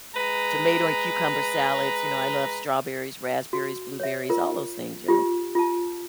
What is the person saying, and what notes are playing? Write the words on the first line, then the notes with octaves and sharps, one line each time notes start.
tomato and cucumber salads, you know, I love strawberries, raspberries, blueberries, all those things. You know?
G#3 B4 A#5
F#4
C#5 E5
F4 A#4
F4 G4
F4 A5